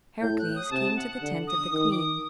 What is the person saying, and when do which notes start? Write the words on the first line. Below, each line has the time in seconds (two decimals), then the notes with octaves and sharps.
Heracles came to the tent of the queen.
0.21 A2 G6
0.39 F#6
0.56 D#6
0.71 C3 A5
0.97 F#5
1.22 D3
1.47 D#6
1.72 D#3 D#6
1.91 D6
1.97 D#6